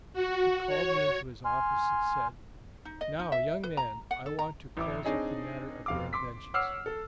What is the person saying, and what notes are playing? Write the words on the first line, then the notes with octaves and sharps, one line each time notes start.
He called me into his office, and said: 'Now, young man, I want to close up the matter of your inventions.
F#4
C#5
G#5 C6 F6
D#4
D#5
D#4
E5
B4
A#5
F#5
A4
A#5
A1 E4 D6
C4 D4 D#4 G#4 C#5 D#5
F1 F5 D6
C6 D6 B6
C#5 F#5 D6 E6 F6 C7
A4